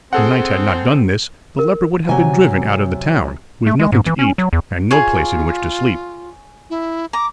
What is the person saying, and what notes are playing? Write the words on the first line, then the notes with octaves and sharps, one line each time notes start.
If the knight had not done this, the leper would have been driven out of the town, with nothing to eat and no place in which to sleep.
C4 G#4 A4 F#5
A#4
C3 F#3 G#5
A3
G#3
G#2
E3
C#4
F#3
E2
F4 G#4 C#5
E4
A#5 D6